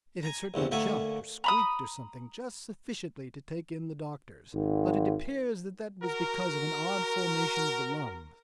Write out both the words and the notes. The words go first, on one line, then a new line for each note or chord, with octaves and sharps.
It had certainly jumped or squeaked or something just sufficiently to take in the doctors, but it appears that that was because of an odd formation of the lungs.
G#5 A#5
A#1 E2 C3
D2 A3 A#3 E5 F#5 G#5
A#5 B5 D#6
G#1
F#4 A#4